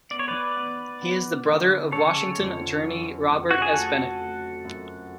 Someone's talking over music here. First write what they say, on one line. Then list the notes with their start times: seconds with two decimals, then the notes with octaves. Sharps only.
He is the brother of Washington attorney Robert S. Bennett.
0.10 B3 D5
0.19 C#5
0.28 B4 D5
0.57 B3
1.02 B3
1.47 D3
1.92 C#3 A4 C#5
2.38 F2
2.83 F#1
3.29 F2
3.51 F#4
3.62 G#4
3.74 A3 F#4 A4
4.20 A3
4.65 F#2